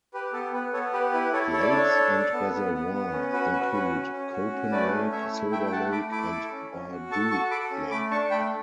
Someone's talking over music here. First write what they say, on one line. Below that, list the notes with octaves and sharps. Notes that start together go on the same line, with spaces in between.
Lakes and reservoirs include Copan Lake, Silver Lake and Bar-Dew Lake.
G4 B4
B3 A4
B3 B4
B3 A4 C#5
G4 B4
E4 B4
E4 A4 C#5
A4 C#5
D5
D4 A4 C#5
D4
A4
B3
B3
B3
B3
C#4
F#4 B4
F#4 B4
C#4 B4
C#4
C#4
F#4
C#4
A3 B4 D5
C#4
A3 C#5 E5
E4
A3 E5 G5
G5
A3 F#5 A5
A3 B5 D6
E4 B5 D6
A4
C#4
C#4
F#4
A4 A5 C#6
F#4 A5 C#6
A4 B5 D6
C#4
A3 B5 D6
D4 A5 C#6
A3 G5 B5